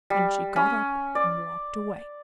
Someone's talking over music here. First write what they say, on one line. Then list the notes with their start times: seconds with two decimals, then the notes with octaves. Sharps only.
And she got up, and walked away.
0.10 G3
0.56 C#4
1.15 D5